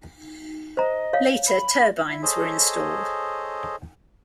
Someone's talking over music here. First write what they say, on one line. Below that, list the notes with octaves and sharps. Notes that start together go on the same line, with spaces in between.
Later turbines were installed.
C5 D#5 A#5
C#5 F5
B5
E4
G#4 A4 C5 C#5 D#5